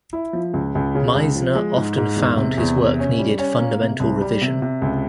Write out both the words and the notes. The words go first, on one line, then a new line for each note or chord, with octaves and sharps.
Meisner often found his work needed fundamental revision.
E4
F3
C#2
C#2
C#3
C#2
F3
G#3
G#2
G#2
E2
C3
E2
C3
C#4
G3
C#4
A#3
C3
C2
G3
C3
C3
C#2